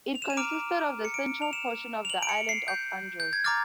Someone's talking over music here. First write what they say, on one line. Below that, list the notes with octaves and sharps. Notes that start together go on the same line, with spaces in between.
It consisted of the central portion of the island of Andros.
F7
E7
D#7
A#5 D6 F6 D7
C#7
D7
F7
E7
F7
F#7
D7
C#7
C7
G6
G6
G#6
A#5 D6 F6 A6